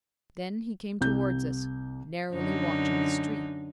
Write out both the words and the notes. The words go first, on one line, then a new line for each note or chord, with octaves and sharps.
Then he came towards us, narrowly watching the stream.
C2 G6
F#2 D3 D#4